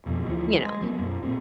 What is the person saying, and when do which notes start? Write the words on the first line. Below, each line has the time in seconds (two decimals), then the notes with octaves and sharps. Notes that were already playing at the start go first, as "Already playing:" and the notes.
you know
0.06 F2 B2
0.25 D2 E3 F3
0.54 G#3
0.82 F#3 A#3 B3
0.99 B1 F#2
1.23 A#2 C4